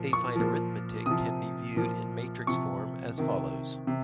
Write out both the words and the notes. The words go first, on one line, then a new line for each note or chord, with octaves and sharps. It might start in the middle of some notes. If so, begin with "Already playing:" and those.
Affine arithmetic can be viewed in matrix form as follows.
Already playing: A#2 F3
C#6
A#2 F3
C3 F3 D#6
A#2 F3
C3 F3 C#6
C3 D#3
C3